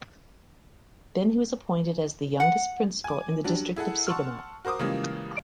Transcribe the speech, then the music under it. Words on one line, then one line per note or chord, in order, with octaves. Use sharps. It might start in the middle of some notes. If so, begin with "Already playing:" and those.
Then he was appointed as the youngest principal in the District of Segamat.
F#5
G#5 D6
F#3 G3 D4
E4 G#4 A4 F#5
F#5 A5 C6 C#6 E6 F6
F#4 A#4 C5 D6 D#6
C#3 E3 F3 G3 G#3 A#3